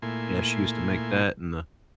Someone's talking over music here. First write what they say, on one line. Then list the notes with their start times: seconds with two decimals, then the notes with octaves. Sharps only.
Yeah, she used to make that, and the,
0.02 A#2 A3 A#3 E4 G#5 C6